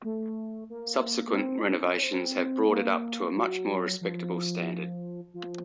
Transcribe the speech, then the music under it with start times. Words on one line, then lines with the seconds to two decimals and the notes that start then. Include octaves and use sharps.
Subsequent renovations have brought it up to a much more respectable standard.
0.04 A3
0.70 A#3
1.27 A#3
1.36 C4
1.59 D#4
1.81 C#4
2.03 C4
2.69 A#3
3.36 F#3
4.01 F3
5.34 F3